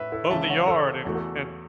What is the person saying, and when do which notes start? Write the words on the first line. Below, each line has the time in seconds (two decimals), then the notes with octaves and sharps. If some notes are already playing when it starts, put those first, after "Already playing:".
Mow the yard and and,
Already playing: A2 B4 C#5 E5
0.12 E4 A4
0.30 C#2 C#3 E3 E5 A5
0.49 C#5 F#5
0.68 A4 C#5
1.05 E2 E3 A3 F#4
1.15 A4